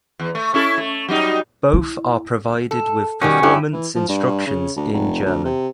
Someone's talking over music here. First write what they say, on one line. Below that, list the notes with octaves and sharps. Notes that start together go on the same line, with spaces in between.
Both are provided with performance instructions in German.
E2
A3
C#4 E4 A4
A3
F#3 G3 D#4
E4
A4
B2 D#3 G3 C#4
G2 E4 G4
E3
F3
G2
C#3
D2
F1
D2
C3